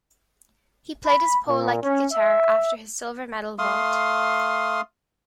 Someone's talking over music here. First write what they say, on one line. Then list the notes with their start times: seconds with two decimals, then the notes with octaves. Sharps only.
He played his pole like a guitar after his silver medal vault.
1.05 B5
1.47 A#2
1.82 C#4
2.12 E5
3.59 A3 F5 C6 D#6